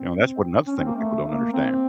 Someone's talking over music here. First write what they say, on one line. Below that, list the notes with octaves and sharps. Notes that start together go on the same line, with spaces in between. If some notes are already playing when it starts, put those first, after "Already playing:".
You know? That's what another thing that people don't understand.
Already playing: C4
C#4
C4
A#3
A3
A#3
C4